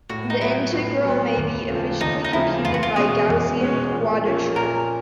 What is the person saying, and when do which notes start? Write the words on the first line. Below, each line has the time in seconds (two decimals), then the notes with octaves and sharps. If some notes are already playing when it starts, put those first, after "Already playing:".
The integral may be efficiently computed by Gaussian quadrature.
0.09 A2 F#4
0.30 D#4
0.41 F#3 B3 E4
0.73 A2
1.05 F#3 B3
1.37 D#2
1.69 C#3 F3 A3 C4
2.01 D#2 D#4
2.24 D#4
2.32 C#3 F3 A3 C4 E4
2.65 E2 F4
2.74 F#4
2.83 F4
2.96 B2 G#3 C#4 G#4
3.29 E2
3.60 B2 G#3 C#4
3.92 A#2
4.24 F3 A#3 C#4
4.56 A#2 A#4